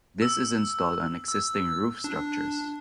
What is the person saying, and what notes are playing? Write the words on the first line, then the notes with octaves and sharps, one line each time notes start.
This is installed on existing roof structures.
E6
E6
D4